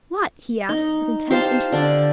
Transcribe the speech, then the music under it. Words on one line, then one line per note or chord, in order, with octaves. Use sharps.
"What?" he asked, with intense interest.
D#4
G4 C5 F5 A5
D3 D4 D5